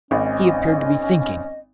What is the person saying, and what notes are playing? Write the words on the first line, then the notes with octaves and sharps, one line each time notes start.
He appeared to be thinking.
G#1 C#4 D#5